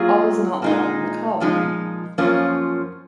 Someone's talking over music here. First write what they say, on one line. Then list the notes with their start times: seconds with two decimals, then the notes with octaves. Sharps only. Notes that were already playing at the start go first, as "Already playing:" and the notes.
All is not well in the colony.
Already playing: F#3 A#3 F4 G#4
0.62 A#2 G#3 D#4
1.40 A#2 F3 G#3 D#4
2.18 F#2 F3 A#3 C#4 F4